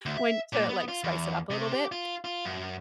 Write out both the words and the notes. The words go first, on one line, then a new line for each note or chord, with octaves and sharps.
when to, like, spice it up a little bit.
D2
E5
A#2
B3
F4
E2
C3
G4
F4
F4
F#2